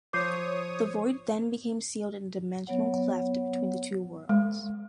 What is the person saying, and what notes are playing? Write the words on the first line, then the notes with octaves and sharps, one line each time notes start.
The Void then became sealed in a dimensional cleft between the two worlds.
F3 C5 C#5 D6 D#6 G6 C7
F#3 B3 C#5 F#5
G#3